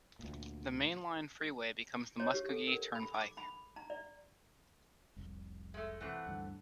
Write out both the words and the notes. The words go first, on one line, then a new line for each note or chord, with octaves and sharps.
The mainline freeway becomes the Muskogee Turnpike.
D2 A#2
C#5
G4
A4
A#4
B5
D6
B5
A#5
D5
F1 C2
G#3 A3
E3 A3 C4 F#5
D2 G2 D3